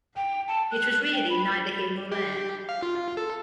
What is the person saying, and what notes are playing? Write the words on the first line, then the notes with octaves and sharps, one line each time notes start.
It was really neither here nor there.
G5
A5
F#6
G5
B5
G4
F5
F4
A4